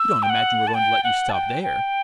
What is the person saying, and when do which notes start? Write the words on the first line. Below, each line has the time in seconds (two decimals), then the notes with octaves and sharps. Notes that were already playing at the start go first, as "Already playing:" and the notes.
"You don't imagine we're going to let you stop there?"
Already playing: E6
0.23 G5
0.30 F#5
0.67 A5
0.74 G5
1.04 F#5
1.29 A5
1.33 G5
1.63 G5